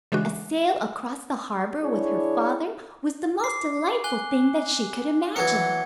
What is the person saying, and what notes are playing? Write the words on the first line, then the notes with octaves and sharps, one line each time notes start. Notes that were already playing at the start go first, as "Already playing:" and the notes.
A sail across the harbor with her father was the most delightful thing that she could imagine.
C#3 E3 G#3 D4 F#4
D4 E4 G#4 C#5
D6 C7
G#5 F#6 G7
E3 F#3 B3 G#6 C#7